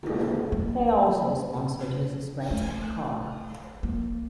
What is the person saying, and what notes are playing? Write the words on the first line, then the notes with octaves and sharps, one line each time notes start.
They also sponsored his sprint car.
A#3
A3
A#3